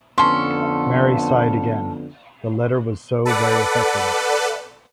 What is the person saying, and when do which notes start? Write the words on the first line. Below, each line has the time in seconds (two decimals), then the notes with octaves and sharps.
Mary sighed again — the letter was so very affecting.
0.18 F2 D3 B3 C#4 A4 C6
3.25 A4 B4 D5 F#5